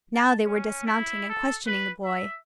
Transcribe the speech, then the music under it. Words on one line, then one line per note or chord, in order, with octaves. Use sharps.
Now they were dismounting and questioning the boy.
A5
C#4
E4
A4
B4
E5